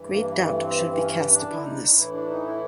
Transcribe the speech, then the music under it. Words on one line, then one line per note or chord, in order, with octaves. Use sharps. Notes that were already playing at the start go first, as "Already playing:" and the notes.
Great doubt should be cast upon this.
Already playing: G2 E3
A#3
A3
C4
C#4
D4
E4
D#4
D4
D#4
A2 E3 E4
D4
D#4
E4